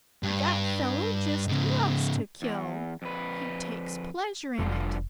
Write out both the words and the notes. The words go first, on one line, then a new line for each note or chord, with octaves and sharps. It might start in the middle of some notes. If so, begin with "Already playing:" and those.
That fellow just loves to kill. He takes pleasure in it.
G2
G#2 C#3
E2
F2 B4
F1 G2 D3 F3